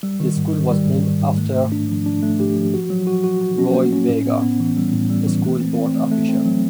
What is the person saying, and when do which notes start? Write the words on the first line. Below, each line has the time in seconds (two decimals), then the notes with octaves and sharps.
The school was named after Roy Wagar, a school board official.
0.03 G3
0.20 D#3
0.36 G#2
0.53 D#3
0.70 G3
0.86 G#2
1.03 D#3
1.21 G#2
1.37 A3
1.55 A3
1.72 D4
1.89 F3
2.06 D4
2.23 A3
2.40 G4
2.57 F3
2.74 F#4
2.90 F#3
3.07 F#4
3.24 F#4
3.41 F#4
3.58 C#4
3.74 A#3
3.92 C#4
4.09 A2
4.26 B3
4.42 B3
4.60 E3
4.77 G3
4.93 A2
5.10 G3
5.27 E3
5.44 A3
5.61 C4
5.78 C4
5.94 A3
6.12 A3
6.29 C4
6.46 F#3